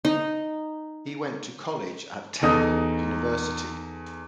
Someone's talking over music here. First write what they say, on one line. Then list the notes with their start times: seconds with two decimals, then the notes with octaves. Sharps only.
He went to college at Temple University.
0.05 D#4
2.42 E2 D#4 A4 D#6